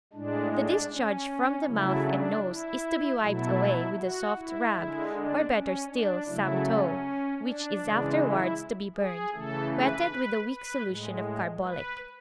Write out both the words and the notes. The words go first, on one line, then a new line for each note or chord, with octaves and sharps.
The discharge from the mouth and nose is to be wiped away with a soft rag--or, better still, some tow, which is afterwards to be burned--wetted with a weak solution of carbolic.
A2 G#3 D4
D4
C#4
C#3 F#3 A3 E4
D4
E4
B2 F#3 A3 E4
F#4
E4
D3 G#3
D4
C#4
D4
C#3 F#3 A3 E4
C#4
D4
C#3 E3 G#3
E4
G#4
C#3 E3 A3 A4
B4
B4
A2 G#3
B4